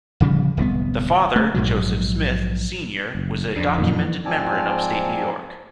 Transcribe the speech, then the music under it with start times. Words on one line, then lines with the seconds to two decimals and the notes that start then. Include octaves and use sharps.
The father, Joseph Smith, Senior was a documented member in upstate New York.
0.20 D1 C#3 F3 G3
0.57 D1 C2 C#3 B3
1.36 A3
1.54 A#1 G#2 B2 F#3
3.15 F#1
3.56 F2 D4
3.78 F#2 A#2 D#3
4.00 E3
4.25 G#2 F3 C4 D5 G#5 A5